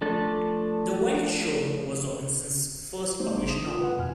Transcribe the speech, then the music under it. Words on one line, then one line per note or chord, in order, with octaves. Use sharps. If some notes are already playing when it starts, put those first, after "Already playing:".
"The Wild Shore" was Robinson's first published novel.
F3 A3 D4 A4
G3 A3 B3 D#4 C5
G#1 D4 C6 D7
D#6
F4
B4 F#5
F2 B2 G#5 F6